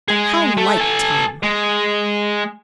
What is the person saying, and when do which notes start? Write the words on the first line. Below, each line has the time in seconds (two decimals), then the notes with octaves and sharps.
How like Tom!
0.08 G#3 G#4
0.57 A3
0.77 A4 G#5
1.43 G#3